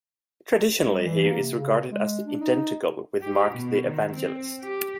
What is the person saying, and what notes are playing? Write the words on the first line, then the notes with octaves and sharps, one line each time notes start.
Traditionally he is regarded as identical with Mark the Evangelist.
G3
E3
A#3
C3
C#3
G#3
D4
D#4
G4
B2
D#3
C4
G4